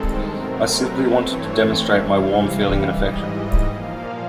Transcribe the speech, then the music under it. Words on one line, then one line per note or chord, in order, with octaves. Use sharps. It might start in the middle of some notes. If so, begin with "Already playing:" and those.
I simply wanted to demonstrate my warm feeling and affection.
Already playing: G2 D#3 G#3 C4 A4
B2 F#3 A3 C4 A#4
B4
G2 E3 A3 C4 C#5
C3 E3 G3 F5
G#2 E3 G3 D#5
A#2 F3 A#3 F5